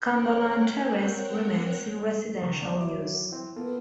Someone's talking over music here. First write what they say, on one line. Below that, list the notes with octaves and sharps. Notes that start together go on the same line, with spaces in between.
Cumberland Terrace remains in residential use.
C4 A#4 C#5 F#5 G5 F#6
C#2 D#3 C#6
E2 D5
F#3 E4 D6
E3 C4
A#3 B3 F4 A4